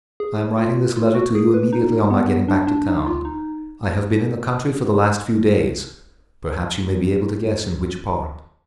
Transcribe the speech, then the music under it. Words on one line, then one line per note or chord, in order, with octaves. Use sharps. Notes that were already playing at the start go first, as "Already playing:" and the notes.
I am writing this letter to you immediately on my getting back to town. I have been in the country for the last few days; perhaps you may be able to guess in which part.
G#4
F4
F4
F#4
G#4
B4
D#4
B3
D4
D4
D#4
F4
D#4